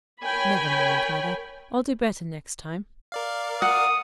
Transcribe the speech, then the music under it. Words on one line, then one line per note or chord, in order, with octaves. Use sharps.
'Never mind, Mother; I'll do better next time.'
A#4 C#5 G5 G#5 B5
A#4 D5 F5
F#5 D#6